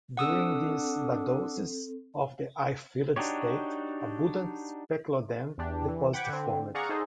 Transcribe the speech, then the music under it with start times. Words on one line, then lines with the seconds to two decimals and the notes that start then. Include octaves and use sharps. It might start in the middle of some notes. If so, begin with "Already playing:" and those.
During this vadose, or air filled state, abundant speleothem deposits formed.
0.17 C4 D4 A4 F#5 D#6 E6
3.16 D4 D#4 F#4 G4 C#5
5.58 E2 D4 G4
5.88 E3
6.13 F#5 G5 B5 D6 G#6
6.29 D3 C4
6.74 G#4 D5 F5 F#5 A#5 C#6
6.89 D#4 G#4 A4 C5 D#5